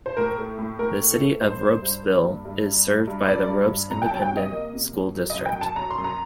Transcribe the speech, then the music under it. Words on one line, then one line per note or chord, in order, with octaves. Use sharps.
The City of Ropesville is served by the Ropes Independent School District.
C5
A2 A#4
A3
A2
A2 A#4
A3
A4
A3
G2 C5
G2
G2
A#3
G2
G2
G2
G2
G2
F#3 D5
G2
G2
C3 A#5
G5
A5
F#3
G5
C3 D#5
A#3
C3
F#3
F#2
D#5
F#2
G5
F#2
A5
F#3 A#5
C6
F#2
A#5